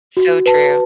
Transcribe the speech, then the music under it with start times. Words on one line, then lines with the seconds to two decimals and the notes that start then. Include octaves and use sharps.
So true.
0.17 F#4
0.46 B4 A5